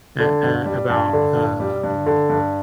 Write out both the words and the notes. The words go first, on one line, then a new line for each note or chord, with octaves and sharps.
at, uh about, um,
D3
G2
G3
G2
D3
G2
G3
G2
D3
G2